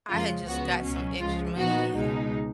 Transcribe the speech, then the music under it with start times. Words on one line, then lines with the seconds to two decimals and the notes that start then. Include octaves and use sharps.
I had just got some extra money in,
0.09 F2 C#3 F3 G#3 F4
0.46 C#2 C#3 F3 B3 F#4
0.83 C#2 B2 F#3 C#4
1.20 C#2 C#3 F3 G#3 F4
1.57 A#2 F3 B3 D#4 F#4
1.94 C#2 B2 G#3 D#4